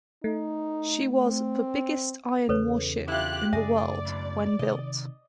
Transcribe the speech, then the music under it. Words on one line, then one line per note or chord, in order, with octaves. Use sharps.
She was the biggest iron warship in the world when built.
A3 D#4
C4
E2 C#3 A4 B4 C#5
E4 F4 G4 F#6
F#2 C#3 A3 G#4 D5 E5
F2 G#2 B2
C3 D#3 D#5